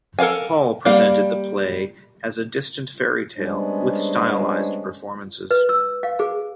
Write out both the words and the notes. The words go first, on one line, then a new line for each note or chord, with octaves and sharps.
Hall presented the play as a distant fairy tale, with stylised performances.
A4 A#4 D5 F5 G#5
G3 A#3 D5 F5
G3 G#3 B3 C#4 D4 C5
B4
E6
F5
G#4